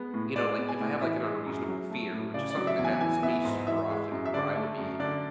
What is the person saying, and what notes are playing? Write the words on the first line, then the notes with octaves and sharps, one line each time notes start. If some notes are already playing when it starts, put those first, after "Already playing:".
You know, like if I have, like, an unreasonable fear, which is something that happens to me super often, where I will be
Already playing: G#3 B3
A2
G#3 D5
B3
G#5
A2
E3 E5
G#3
F#2
F#3
A3
A2
C#3 D5
D5
F#3
E5
E2
G#5
E3 G#5
B3 E5
G#2
E3 E5
G#3
F#2
E5
D3 D5
A3
F#2
D3 D5